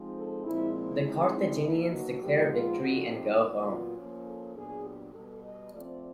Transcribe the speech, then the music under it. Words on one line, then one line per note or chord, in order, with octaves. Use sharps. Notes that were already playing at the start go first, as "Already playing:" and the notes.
The Carthaginians declare victory and go home.
Already playing: F3 G#3 C4 D#4
A4
A#2 F3 G#3 C4 E4
E4
F3 G#3 C4 D#4
E4
B2 F#3 A#3 D#4 E4
F#4
A#2 F3 G#3 B3 D#4 G4
F4
F3 A3 C4 D#4 F#4
G4
A#2 F#3 B3
F4
F3 A#3 C#4
A4
A#2 F#3 B3 D4 G#4
G4
B2 G3 B3 A4
D#5
F3 A3 C4 D5